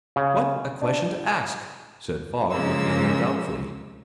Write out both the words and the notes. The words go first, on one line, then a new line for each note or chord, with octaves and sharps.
"What a question to ask," said Falk, looking at him doubtfully.
C#3
D4
C#3 F3 G#3 A#3 E6